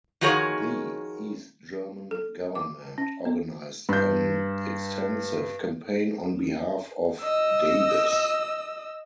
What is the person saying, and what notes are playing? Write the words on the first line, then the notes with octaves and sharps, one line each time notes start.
The East German government organized an extensive campaign on behalf of Davis.
D#3 F3 F#4 G#4 A#4 C#5
A4
D6
C#4
B3
G2 G6
D#5 E6